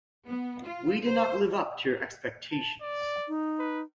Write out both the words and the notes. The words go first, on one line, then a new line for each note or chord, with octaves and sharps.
We did not live up to your expectations.
B3
F4
C5
A5
D5
D#4
B4